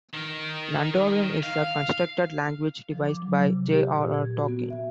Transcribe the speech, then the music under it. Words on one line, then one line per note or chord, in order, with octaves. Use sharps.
Nandorin is a constructed language devised by J. R. R. Tolkien.
D#3
F5
F3
D6
F#3
C3
G4
A#2
G#6
F#4
B3
E5